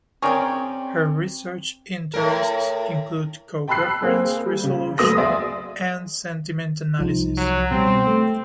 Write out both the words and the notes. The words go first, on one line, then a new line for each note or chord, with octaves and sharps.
Her research interests include coreference resolution and sentiment analysis.
C4 C#4 G#4 A#4 C#5 D5 G5 C#6
A2 A#4
G5 A5 B5 E6 F#6 C7
A#3 C4 G#4
G3
C#3
D2 F#3 B3 D#6 A#6
G#4 D5 E5 F5 C6
C2 F3 D#4
F#3
B2 G3 C4
A3